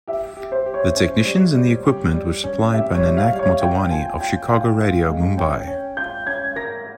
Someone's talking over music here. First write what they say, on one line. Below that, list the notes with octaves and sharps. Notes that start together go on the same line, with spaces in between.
The technicians and the equipment were supplied by Nanak Motawani of "Chicago Radio", Mumbai.
G4 E5
G4
C5
G4
C#5
C#4
G3
G3
G4
G3
C#4
G4 E5
C#5
G3
F5
G3
C#5
F4 G5
F4 G#5
F4 G5
F4 F5
F4
G#3
C#4 G5
C#4
F4 G6
C#4 G#6
A#4 A#6